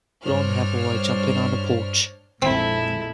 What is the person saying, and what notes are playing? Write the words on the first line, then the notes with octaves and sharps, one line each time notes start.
Blondhair boy jumping on a porch.
G2 D4 C5 C#5 F6
A#1 F2 G#3 C4 E4 A4